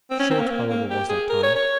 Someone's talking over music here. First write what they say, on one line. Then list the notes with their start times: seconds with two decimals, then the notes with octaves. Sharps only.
Short, however, was that time.
0.10 C4
0.20 C#4
0.30 C4
0.39 A#3
0.46 C4
0.50 A#3
0.70 A#3
0.90 G4
1.09 G#4
1.29 A#4
1.43 C#5
1.55 C#5